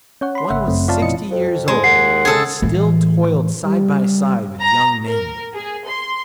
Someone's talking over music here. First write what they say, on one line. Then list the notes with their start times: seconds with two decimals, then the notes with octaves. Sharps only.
One was sixty years old, but he still toiled side by side with young men.
0.21 C#4 C#5 F#5
0.35 B5 C6
0.50 G#1 C#3 E5 F#5
0.67 F#2 A3 C4
0.88 C4 F4 C#5 D5 F5 A5
1.02 B2 F3 E4 D#5 C#7
1.30 F2
1.68 G#3
1.84 D#2 F#5 C7
2.25 G#4 A4
2.62 A2 E3
3.63 G3
4.61 A#5
5.06 A#4
5.54 G#4
5.87 C6